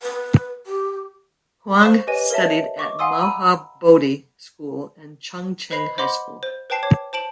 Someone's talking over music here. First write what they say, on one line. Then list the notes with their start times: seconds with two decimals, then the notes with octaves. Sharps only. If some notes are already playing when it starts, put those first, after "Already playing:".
Huang studied at Maha Bodhi School and Chung Cheng High School.
0.03 B4
0.66 G4
1.83 C5 F5 C#6 E7
2.07 G4 B4 C#5 D#5 G#5 D#7
2.30 A#4 C#5 D#5 E5 A5
2.78 D#5 C#6 D6
2.99 F5 F#5 G#5 C6 D#6 E6
3.18 A#5 B5 E6 D#7
5.71 B4 C5 D#5 B5 C7 F7
5.98 C5 D#5 F#5 B5 C6 D6
6.43 C5
6.70 B4 C5 G5 A5 C7
6.83 C#5 D6 G#6
7.13 C5 A5 D7 F#7